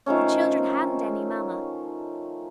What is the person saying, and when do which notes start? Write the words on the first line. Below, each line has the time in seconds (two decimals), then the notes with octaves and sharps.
The children hadn't any Mamma.
0.06 D#3 F3 A3 C#4